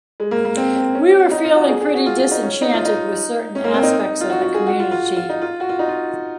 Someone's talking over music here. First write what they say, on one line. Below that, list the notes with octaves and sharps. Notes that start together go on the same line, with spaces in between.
We were feeling pretty disenchanted with certain aspects of the community.
G#3
A#3
A#3
C4
C4
C#4
D#4
F4
F#4
G#4
G#4
F#4
F4
F4
D#4
C#4
D#4
F4
D#4
C#4
A#3
C4
D#4
F4
F#4
F#4
G#4
F#4
F4
F4
F4
D#4
F4
F#4
F4
D#4
F4